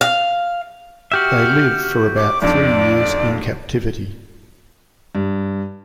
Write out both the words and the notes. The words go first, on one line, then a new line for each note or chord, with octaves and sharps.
They live for about three years in captivity.
F5
F#4 G4 E5 F6
D6
B1 F2 D4 D5
G2